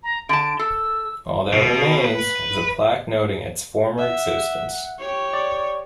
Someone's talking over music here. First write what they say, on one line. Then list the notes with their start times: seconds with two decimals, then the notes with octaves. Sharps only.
All that remains is a plaque noting its former existence.
0.03 A#5
0.29 D3 A5 D7
0.59 A4 E6
1.53 B2
2.05 B4
3.99 E5 F#5
5.00 G4 C#5 C#6
5.33 D5